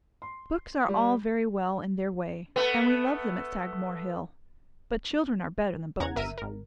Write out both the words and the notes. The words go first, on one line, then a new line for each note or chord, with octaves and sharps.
Books are all very well in their way, and we love them at Sagamore Hill; but children are better than books.
C6
G3
A3 B3
E2 C#3 F#5 A#5 G#6
G1 A#4 E5 D#7
G#1 A#4